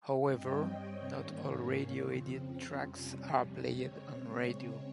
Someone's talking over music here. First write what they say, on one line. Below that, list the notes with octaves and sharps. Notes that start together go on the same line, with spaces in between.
However, not all "radio edit" tracks are played on radio.
G2 G3 C4 D#5 G5
C#5
G#2 D#3 A#3 C#4 C#5
F2 C#3 F3 C4
F2 C3 G3 C#4
C#3 G#3 C4 C#5